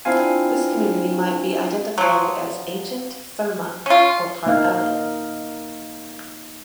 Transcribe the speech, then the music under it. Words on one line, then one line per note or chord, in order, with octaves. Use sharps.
This community might be identified as Ancient Therma or part of it.
C4 D4 E4 F4 F5 G#5
F3 F#3
C#4 F4
A#3 D#4 F5